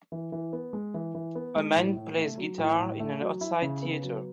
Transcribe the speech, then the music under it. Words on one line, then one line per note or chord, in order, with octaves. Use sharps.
A man plays guitar in an outside theater.
E3
E3
B3
G#3
E3
E3
B3
G#3
A2
A2
A3
F#3
A2
A2
A3
F#3
E4
C#3
B3
F#3